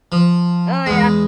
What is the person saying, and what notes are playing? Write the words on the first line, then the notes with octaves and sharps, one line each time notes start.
Oh, yeah.
F3
E2 G#3